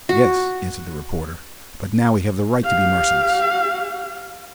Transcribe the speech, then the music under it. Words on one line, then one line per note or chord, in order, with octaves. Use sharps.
"Yes," answered the reporter, "but now we have the right to be merciless!"
F#4
G4 F5